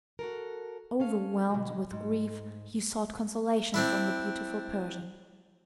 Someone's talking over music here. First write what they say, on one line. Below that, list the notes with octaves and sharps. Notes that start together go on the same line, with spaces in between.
Overwhelmed with grief, he sought consolation from the beautiful Persian.
F#4 A4 A#4
C#4 A4 F5
B2 D3 F#3
G#2
C4 D4 E4